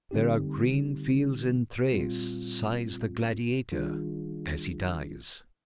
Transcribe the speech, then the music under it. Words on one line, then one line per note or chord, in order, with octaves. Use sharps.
"There are green fields in Thrace," sighs the gladiator as he dies.
D3 G3 C4 D#4 G4
A#2 G3 C4 F4
D#3 G3 D4 F4 G#4